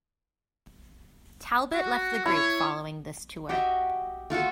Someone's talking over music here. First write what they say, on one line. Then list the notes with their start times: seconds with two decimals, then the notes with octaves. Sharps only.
Talbot left the group following this tour.
1.74 F#4
2.26 E4 C#5
3.49 F#4 G4 D#5 E5
4.30 A3 F4 F#4 A4